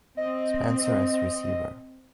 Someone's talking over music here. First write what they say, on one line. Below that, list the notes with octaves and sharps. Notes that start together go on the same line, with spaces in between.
Spencer as receiver.
C4 D#5